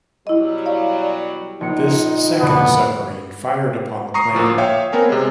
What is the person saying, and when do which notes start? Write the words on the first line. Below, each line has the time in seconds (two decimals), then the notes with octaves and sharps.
This second submarine fired upon the plane.
0.27 B2 F#3 G3 E4 D#5
0.66 D5 F5
1.61 A#1 D#4 C#7
2.40 F2 B2 D3 B3
4.14 A#5 C#6 D#6 C7
4.35 D2 A#2 F3
4.58 C#5 E5 F5 G5
4.92 B3 C4 A#4 C#5 G#5
5.09 C3 G#3